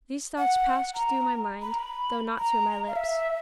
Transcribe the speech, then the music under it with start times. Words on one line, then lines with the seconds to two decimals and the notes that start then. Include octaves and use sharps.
These thoughts passed through my mind, though not through my lips.
0.38 F#5
0.95 A#5
1.62 B5
1.70 A#5
1.79 B5
2.39 A#5
2.87 F5
2.96 E5